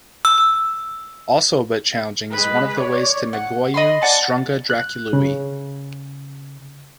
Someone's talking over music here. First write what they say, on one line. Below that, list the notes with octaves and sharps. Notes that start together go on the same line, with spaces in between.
Also a bit challenging is one of the ways to Negoiu - Strunga Dracului.
E6
G#3 B4
C#5 D5
F#5
D#5 B5 C6
D5 F#5 A5
F#6
C#3